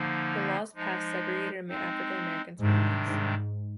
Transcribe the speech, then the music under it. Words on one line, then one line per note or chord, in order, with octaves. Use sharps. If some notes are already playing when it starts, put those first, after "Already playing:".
The laws passed segregated African Americans from Whites.
Already playing: D3 F3 A#3 D#4
F3 G#3 D#4
G#3 C4 D#4
G#2 C3 D#3 G3 D4
G#2